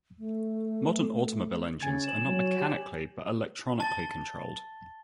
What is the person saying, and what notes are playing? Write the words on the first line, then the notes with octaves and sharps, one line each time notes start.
Modern automobile engines are not mechanically but electronically controlled.
A3
C#3 G#5 G#6 A6
E7 F#7
F#3
G4
A5 A6 G7